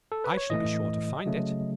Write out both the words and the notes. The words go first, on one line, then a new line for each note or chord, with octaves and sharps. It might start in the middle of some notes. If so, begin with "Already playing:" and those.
I shall be sure to find it.'
A4
B4
C#5
A2 E3 A3 D#5
C#3 F#3 A3